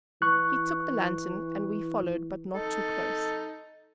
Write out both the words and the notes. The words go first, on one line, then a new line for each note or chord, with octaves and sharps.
He took a lantern and we followed, but not too close.
E3 C#6 F#6
D#4 A4